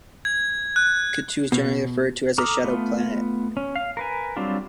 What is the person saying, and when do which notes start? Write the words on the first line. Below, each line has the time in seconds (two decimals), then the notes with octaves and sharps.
Ketu is generally referred to as a "shadow" planet.
0.25 G#6
0.76 F#6
1.52 B2
2.38 A4 A#5 D6 D#6 F6
2.64 A3 B3 F4
3.57 C#4
3.76 F5
3.97 A#4 B4 G#5
4.36 F#3 G3 C4 D4 F4